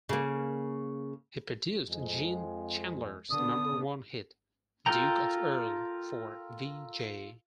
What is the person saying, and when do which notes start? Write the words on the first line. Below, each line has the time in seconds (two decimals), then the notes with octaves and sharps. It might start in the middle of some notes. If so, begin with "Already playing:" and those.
He produced Gene Chandler's number One hit, "Duke Of Earl" for Vee-Jay.
0.09 C#3 A#3
1.89 F2 G#3
3.31 D3 B3 D#6
4.86 F4 A4 A#4 G5 A#5